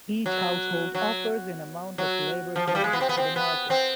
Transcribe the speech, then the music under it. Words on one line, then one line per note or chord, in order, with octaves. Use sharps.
Each household offers an amount of labour services to the market.
F#3
F#3
F#3
F3
F3
G3
G#3
B3
C4
B3
C4
B3
C4